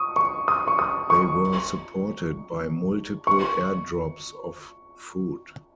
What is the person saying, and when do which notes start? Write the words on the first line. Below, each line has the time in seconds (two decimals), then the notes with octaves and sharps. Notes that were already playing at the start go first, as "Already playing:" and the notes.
They were supported by multiple air drops of food.
Already playing: C#6 D#6
0.16 C#6
0.48 D#6
0.68 C#6
0.79 D#6
1.10 C#6
3.27 C#6